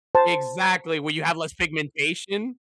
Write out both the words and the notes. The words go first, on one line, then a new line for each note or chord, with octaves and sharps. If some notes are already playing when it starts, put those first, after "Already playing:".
Exactly, where you have less pigmentation
C5 A5